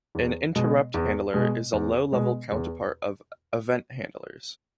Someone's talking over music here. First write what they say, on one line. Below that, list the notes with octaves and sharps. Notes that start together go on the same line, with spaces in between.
An interrupt handler is a low-level counterpart of event handlers.
E2
B2 G#3
E2
B2 G#3
E2
B2 G#3
E2